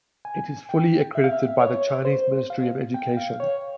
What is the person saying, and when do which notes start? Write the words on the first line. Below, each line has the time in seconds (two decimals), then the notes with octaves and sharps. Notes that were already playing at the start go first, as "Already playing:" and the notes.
It is fully accredited by the Chinese Ministry of Education.
0.25 G#5
0.69 G5
1.15 E5
1.24 F5
1.33 E5
1.60 C#5
2.05 C5
2.50 F5
2.94 G5
3.17 F5
3.40 C#5